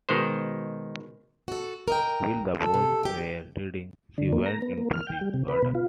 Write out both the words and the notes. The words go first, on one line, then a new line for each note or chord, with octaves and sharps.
While the boys were reading, she went into the garden.
B2 D#3 G#3 C5
F#4 A4
A#4 D#5 G5
A4
C3
D#3 G4
D3
A#3
A#5
B3
A#3
F6
G5
G3
C3
B4
B2
F4